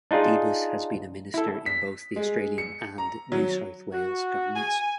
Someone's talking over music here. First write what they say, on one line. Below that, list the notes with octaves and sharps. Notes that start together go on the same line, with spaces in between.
Debus has been a minister in both the Australian and New South Wales governments.
D4 D#4 F4 G#4
E4 A4
B6
G#3
C#7
A#5
F#3
F#4
G#5